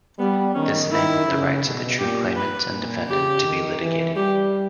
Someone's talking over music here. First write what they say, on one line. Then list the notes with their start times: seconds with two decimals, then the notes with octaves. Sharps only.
This enabled the rights of the true claimant and defendant to be litigated.
0.19 G3 B3
0.55 D#3 C#4
0.91 D#3 E4
1.27 C#3
1.63 B2
1.99 A#2 G4
2.36 B4
2.71 A#2
3.07 C#3 G4
3.43 D#3
3.80 E3
4.15 G3 G4